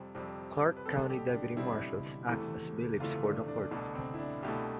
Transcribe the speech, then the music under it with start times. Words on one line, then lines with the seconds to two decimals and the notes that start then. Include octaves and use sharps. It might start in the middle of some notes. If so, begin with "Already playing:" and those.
Clark County Deputy Marshals act as bailiffs for the court.
Already playing: F2 C3 G3 C4
0.15 F2 C3 G3 C4
0.77 B4
0.86 B2 G3 C4 A4
1.09 G4
1.34 D4
1.57 B2 G3 C4 E4
2.28 E2 C3 E3 A3
3.00 E2 C3 E3 A3 F4
3.24 D4
3.48 D4
3.71 C2 B2 A3 D4
3.95 C4
4.14 E4
4.19 D4
4.43 C2 B2 A3 G4